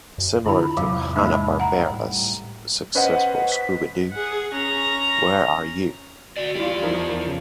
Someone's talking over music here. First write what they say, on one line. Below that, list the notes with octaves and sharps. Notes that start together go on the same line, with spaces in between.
Similar to Hanna-Barbera's successful Scooby-Doo, Where Are You!
F#2
F#2 D3 D4 E4 F4 B5
E2 G#2 C3 F#3 F5
G#3 A#3 D#4 E5 B5
F#5 A#5
A2 G3
C#4 B4 C5 D#5 F#5
B6
G#4 F#5
C#4 A#5
F#4 D5
E2 G3 F4 D5
F3 D#4 A#4
C#3